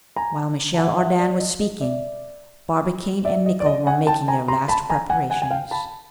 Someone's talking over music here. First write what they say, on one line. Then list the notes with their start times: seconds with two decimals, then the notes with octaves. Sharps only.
While Michel Ardan was speaking, Barbicane and Nicholl were making their last preparations.
0.16 G#5 A#5
0.74 A5
0.78 F#5 G#5
0.98 E5 F#5
1.19 D5
1.40 D#5
1.61 D#5
1.81 D5 E5
3.25 D5 E5
3.46 D#5
3.60 D5
3.66 D#5
3.87 F#5 G#5
4.07 G5 A5
4.28 G#5 A#5
4.48 A#5 C6
4.68 A5 B5
4.90 G#5 A#5
5.10 F#5 G#5
5.30 F#5 G#5
5.42 G#5
5.51 F5 G5
5.71 A5 B5